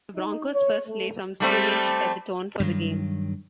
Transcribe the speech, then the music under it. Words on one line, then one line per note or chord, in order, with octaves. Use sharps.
The Broncos' first play from scrimmage set the tone for the game.
D#4
C#5
A3
G3 A3 C4
G2 D#3 F#3